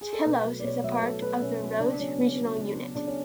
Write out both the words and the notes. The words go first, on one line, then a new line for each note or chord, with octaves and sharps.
Tilos is part of the Rhodes regional unit.
G#4
A4
B2 B4
F#3 A3
D5
B2 C#5
F#3 A3 E5
B4
B2 A4
F#3 A3 B4
B2 C#4
F#3 A3
C#3 D4
F#3 B3 C#4
C#3
F#3 B3
C#3
F#3 B3
C#3 D4
C#4